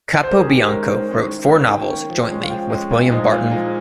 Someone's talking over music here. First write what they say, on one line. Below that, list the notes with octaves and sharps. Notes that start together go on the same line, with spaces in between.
Capobianco wrote four novels jointly with William Barton.
C5
A#4
G#4
D#3 G4
C5
G#3 C#4 A#4
D#3 C5
G#3 C#4
D#3
A#3 C#4
D#3 G5
A#3 C#4
F3
G#3 C#4
F5
F3 G5
G#3 C#4
A#2
F3 G#3 D#4
A#2 F5
F3 G#3 D#4